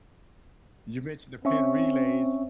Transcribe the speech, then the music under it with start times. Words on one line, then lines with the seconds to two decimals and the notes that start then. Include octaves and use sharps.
You mentioned the pin relays.
1.45 C4 C#4 E5 C#6